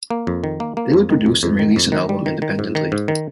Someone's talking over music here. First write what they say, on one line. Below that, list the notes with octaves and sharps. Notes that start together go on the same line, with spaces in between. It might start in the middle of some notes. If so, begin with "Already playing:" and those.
They would produce and release an album independently.
A#3
F2
D#3
A#3
A#3
F2
D#3
F2
F2
D#3
F2
D#3
G3
D#3
D#3
G#2
D#3
G#2
D#3